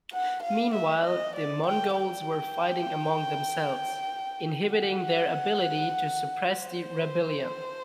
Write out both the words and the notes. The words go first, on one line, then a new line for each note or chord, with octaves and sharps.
Meanwhile, the Mongols were fighting among themselves, inhibiting their ability to suppress the rebellion.
F#5
F5
E5
D#5
D5
G5
G5
F#5
C5